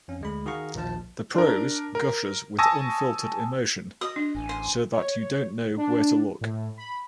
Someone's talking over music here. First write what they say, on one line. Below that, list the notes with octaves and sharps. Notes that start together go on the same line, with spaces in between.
The prose gushes with unfiltered emotion so that you don’t know where to look.
F2 C#4
D2 G#3 B5
D#3 F#4 G#4 F5 A#5 C#6
A#1 D#2 F3 A5
D4 A#4
A#4
G#5 A5 C#6 D#6 E6 A#6
F#4 D#5 D#6
D4
A1 G#5
C5
C#5
D4
A2
B5